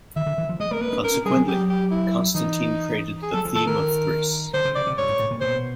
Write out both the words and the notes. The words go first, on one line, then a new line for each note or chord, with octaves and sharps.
Consequently, Constantine created the Theme of Thrace.
D#3 E5
D3
E3
F3
G#3 D#5
A3 A#4
A#3 B4
D4
C#4 A#4
C#4
G3 G#4
F#3
F#3 G4
G4
E4
E3 D#4
G#4
F#3 A4
F3
E3 A4
D#3 A#4
D3 C5
C#3
C#3 D5
C3
G2 C#5
G#2
A2
A#2
B2 C5